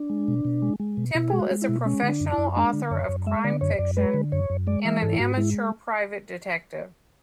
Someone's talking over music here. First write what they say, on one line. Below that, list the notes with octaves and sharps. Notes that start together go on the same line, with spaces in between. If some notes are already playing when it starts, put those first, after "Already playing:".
Temple is a professional author of crime fiction and an amateur private detective.
Already playing: D4
G#3
B2
B2
G#3
G#3
B2
B2 E4
G#3 G#4
F#4
G#3
E4
B2
G#3 C#4
D3
D4
F#2
E4
F#2
G#3 D4
D3
F#2 C#5
F#2
G#3 E5
D3 D5
F#2 C#5
F#2 D5
G#3 B4
D3
F#2 C#5
F#2
G#3 D5
E3 E5
G#2 A4
E4
G#2 F#4
G#3 E4